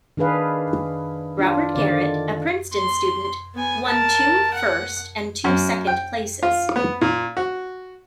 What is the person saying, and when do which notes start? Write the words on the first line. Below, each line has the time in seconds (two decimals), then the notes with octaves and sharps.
Robert Garrett, a Princeton student, won two first and two second places.
0.17 D#3 D4 G#4 B4 F5
1.39 D4 F4
1.75 D3 D#3 D5
2.74 C6
3.55 B3 G#5
3.86 A#4 A5
4.54 F#5
5.44 F#2
5.87 G5
6.43 F4
6.76 B3
7.01 A#2
7.37 F#4